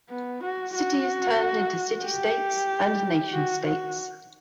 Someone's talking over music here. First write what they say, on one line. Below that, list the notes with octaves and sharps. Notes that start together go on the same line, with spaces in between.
Cities turned into city-states and nation-states.
B3
F#4
F#4
G4
F#4
F#4